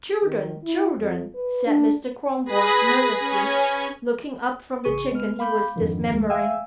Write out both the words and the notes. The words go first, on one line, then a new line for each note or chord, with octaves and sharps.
"Children, children!" said Mr. Kronborg nervously, looking up from the chicken he was dismembering.
D#3
E4
F2
B4
D4
G#4 B4 B5 D#6 A#6
C#4 G#5
A1 C#3 G#4 C#6 D#7
G#3 B3 F6
F5 B5 D6 G6
F2 G#2 D3 D#3 F3
D2 G#3 A3
E5 F5 G5 G#5 E6